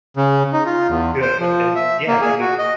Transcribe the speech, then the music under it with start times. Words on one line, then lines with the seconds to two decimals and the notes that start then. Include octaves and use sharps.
good, and, yeah, that means
0.17 C#3
0.53 D#4
0.66 F4
0.89 E2
1.21 C5
1.40 F3
1.76 E5
2.08 A#3
2.21 G#4
2.40 F#4
2.58 D#5